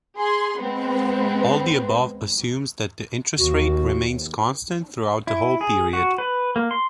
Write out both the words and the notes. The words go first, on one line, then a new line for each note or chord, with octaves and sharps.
All the above assumes that the interest rate remains constant throughout the whole period.
G#4 C6
G#3 B3 C4
D#2 F#4
E4
G#4
F#4
B4
A#3
C6